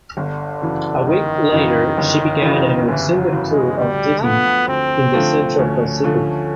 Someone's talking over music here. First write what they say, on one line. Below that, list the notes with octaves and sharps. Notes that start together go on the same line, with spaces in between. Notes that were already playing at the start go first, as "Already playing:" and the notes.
A week later, she began an extended tour of duty in the Central Pacific.
G1 D3
F#2 C#3 E3
G1 D#3
F#2 C#3 E3
G1
F#2 C#3 E3
G1 E3
F#3
F#2 C#3 E3
G#3
D2 G3
D3 F3 A3 B3
D2 C4
D3 F3 A3
D2 C#4
D3 F3 A3